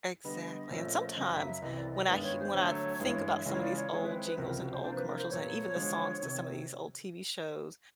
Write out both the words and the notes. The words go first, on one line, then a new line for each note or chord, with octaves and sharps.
Exactly, and sometimes when I hea I when I th think about some of these old jingles and old commercials and even the songs to some of these old TV shows,
D3 G3 B3 D#5
A#2 F3 A3 C#4
F#2 C#3 F#3 D#5
E5
E5
C2 C3 E3 D#5
D5
D#5
G2 D#3 G#3 B3 D5
C#5
C5
D3 F#3 A3 C#5
G2 E3 G#3
E5
C#3 E3 G#3 C#4 F4 D#5
C#5
D5
C#5
D#3 G#3 C4 E4 C#5
B4
B4
C#2 C3 F3 A#4
F#4
C5
C3 F3 A#3 D4 C5
B4
A#4
C5
A#2 F#3 B3 C#5
D3 F3 G#3
C3 D#3